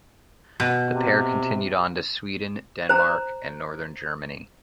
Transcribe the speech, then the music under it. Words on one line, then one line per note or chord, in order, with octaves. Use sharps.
The pair continued on to Sweden, Denmark and northern Germany.
B2
C3
C5 A#5